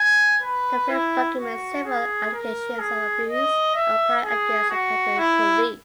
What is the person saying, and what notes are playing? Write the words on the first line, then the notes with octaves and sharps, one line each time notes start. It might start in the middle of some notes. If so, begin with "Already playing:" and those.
The film documents several allegations of abuse of power against the Calgary Police.
Already playing: G#5
B4
E4
F#4
G#4
A#4
G#4
D#5
E5
G#4
F#4
E4